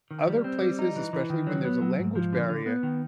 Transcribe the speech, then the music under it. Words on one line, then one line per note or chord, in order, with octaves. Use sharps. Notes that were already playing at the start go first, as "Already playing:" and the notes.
other places, especially when there's a language barrier,
D#3
G3
C4
G3
D#4
E3
E3
D#3
F#3
B3
F#3
G#2
F3
D3
D3
B3
D#3